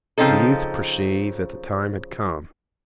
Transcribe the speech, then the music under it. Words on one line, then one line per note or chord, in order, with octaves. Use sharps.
The youth perceived that the time had come.
C#3 F3 C4 C#4 D#4 A4